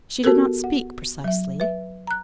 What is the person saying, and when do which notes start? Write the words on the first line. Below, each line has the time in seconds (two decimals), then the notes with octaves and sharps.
She did not speak, precisely.
0.24 B3 F#4 G4 A4 A#4
0.64 F#5
1.24 F#3 E5
1.60 B4 E5
2.07 A#5 F#6